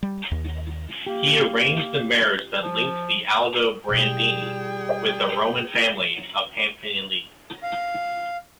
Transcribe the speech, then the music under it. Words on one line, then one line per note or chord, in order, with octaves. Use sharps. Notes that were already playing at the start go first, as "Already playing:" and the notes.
He arranged the marriage that linked the Aldobrandini with the Roman family of Pamphili.
G3
D#2
A#3 G4
F3
B2 G3 E4 G#4 G5
F5